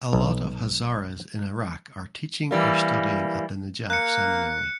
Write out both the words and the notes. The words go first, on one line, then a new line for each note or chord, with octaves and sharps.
A lot of Hazaras in Iraq are teaching or studying at the Najaf Seminary.
B1
E3 G3 A#3
A#3 F#6 C#7